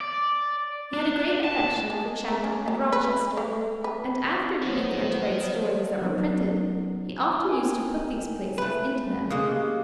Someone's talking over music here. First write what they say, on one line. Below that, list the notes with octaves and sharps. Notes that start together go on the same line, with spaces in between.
He had a great affection for Chatham and Rochester, and after he began to write stories that were printed, he often used to put these places into them.
D5
D4
A5
G#3
A#4
C#4
F#3
B4
A3
B4
D#3 F3 F#3 B3
F#3 B3 C#4 D#4 A#4
A#4 G5 G#5
A3 B4
C#3 G#3 A#3 F5 D#6 F#6
G4 F5